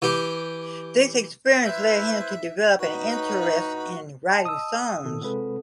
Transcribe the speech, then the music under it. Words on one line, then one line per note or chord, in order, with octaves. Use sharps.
This experience led him to develop an interest in writing songs.
E3 G4 D6
E4 B4 C5 E5
A2 D#4 F#4 B4
D#5 A5
D#6 E6
A#2 D#3 F4 A4
C3 G#3 C4 A4 B4